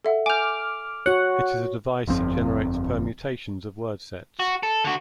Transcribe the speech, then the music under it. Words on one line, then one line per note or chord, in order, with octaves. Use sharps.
It is a device that generates permutations of word sets.
A4 E5 F#5
G#5 D6 F6 G6
F#4 C#5 F#5
G1 F2 C4
F#4
A4
D3 F#4